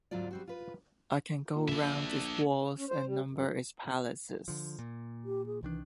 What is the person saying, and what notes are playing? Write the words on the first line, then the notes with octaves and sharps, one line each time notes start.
I can go round its walls and number its palaces.
D2 G#2 F#3 C4 F4 D5
G3 C4 F#4
F4 B4
A#2
D4 E5
A#1
C#4
C5
G3
F#2
D3 F3
A#2
G4
G#4
C2 D#3 E3 D4